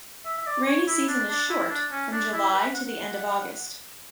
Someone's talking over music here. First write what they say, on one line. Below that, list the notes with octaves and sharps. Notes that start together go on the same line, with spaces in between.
Rainy season is short, from July to the end of August.
E5
E5
D5
C#5
E4
D4
D4
E4
D4
C#4
D4
E4
B4
F#5